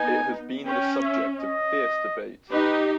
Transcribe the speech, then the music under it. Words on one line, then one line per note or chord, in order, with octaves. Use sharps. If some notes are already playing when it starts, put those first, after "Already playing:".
It has been the subject of fierce debates.
Already playing: B3 D#4 G#5
C#4 G5
E5
D#5
D#4 G4 B4